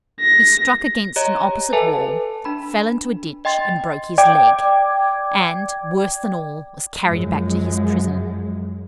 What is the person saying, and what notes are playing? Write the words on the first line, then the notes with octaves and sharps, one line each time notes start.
He struck against an opposite wall, fell into a ditch and broke his leg, and, worse than all, was carried back to his prison.
A#6
G4 C#5 D#5 A#5
A4 B4 E5 G#5 A5
D4 B5
D#5 G5 C6 A6
D5 G5 D6 G#6
F#2 F3 G#3